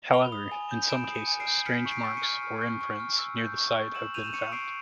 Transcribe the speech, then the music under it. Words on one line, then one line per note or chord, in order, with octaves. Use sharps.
However, in some cases, strange marks or imprints near the site have been found.
B5 F7 G7
D#6
G#5
G6
B5 D7 E7
D#6
C#7 D#7
G#5
C7 D7
G6
F6 B6 C#7
C#6
C7 D7
C#6
C#7 D#7
F6
F6
C#6
C#6
F6
E6
G6
C#6
C#6
E6 E7 F#7
G6 D#7 F7
E7
C#6 C#7 D#7
C#6 C7 D7